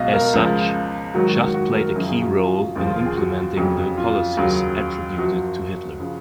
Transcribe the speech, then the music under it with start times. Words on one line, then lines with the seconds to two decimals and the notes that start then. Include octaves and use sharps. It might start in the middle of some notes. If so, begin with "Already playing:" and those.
As such, Schacht played a key role in implementing the policies attributed to Hitler.
Already playing: C#2 B2 F#3 D#5 F5
0.13 A#4
0.33 C#2 C#3 F3
1.14 G#2 D#3 F#3 F#4
1.28 F#4
1.41 F#4
1.54 F#4
1.75 A#4
1.95 F#2 C#3 F3 G#4
2.09 G#4
2.22 F#4
2.36 F4
2.76 D#2 C#3 F3 F4
2.86 F4
2.96 F4
3.06 G#4
3.16 F#4
3.57 F2 C#3 F#3
3.97 F4
4.37 D#2 C#3 F#3
5.18 F#2 F3 F#4
6.00 C#3 F3